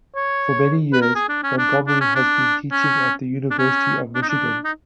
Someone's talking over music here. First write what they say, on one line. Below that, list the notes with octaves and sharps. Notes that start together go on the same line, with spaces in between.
For many years, Montgomery has been teaching at the University of Michigan.
C#5
B4
A#4
G#4
D4
C#4
D4
D4
C#4
D4
C#4
D4
C#4
D4
D#4
D4
D#4